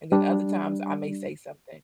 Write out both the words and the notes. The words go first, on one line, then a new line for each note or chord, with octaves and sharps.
and then other times, I may say something
G3 D4